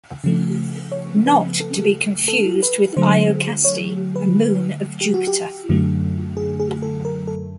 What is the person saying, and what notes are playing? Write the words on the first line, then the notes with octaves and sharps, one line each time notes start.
Not to be confused with Iocaste, a moon of Jupiter.
C#3 F3 A3
C#5
B4
A4
A4
B4
D3 F#3 A3 C5
C#5
B4
G4
F#4
G4
F#2 D3 F#3 A3
G#4
G#4
A4
A#4
A4